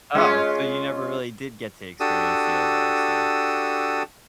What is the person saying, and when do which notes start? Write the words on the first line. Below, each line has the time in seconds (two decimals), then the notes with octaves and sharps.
Oh, so you never really did get to experience the Ozarks then?
0.15 G#3 C#4 F4
2.00 D4 F#4 G4 A4 D#6 E6